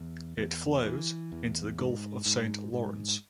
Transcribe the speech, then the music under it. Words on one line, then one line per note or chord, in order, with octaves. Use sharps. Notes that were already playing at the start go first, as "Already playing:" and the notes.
It flows into the Gulf of Saint Lawrence.
Already playing: E2
E2
E3
E2
G#2
G#2
G#2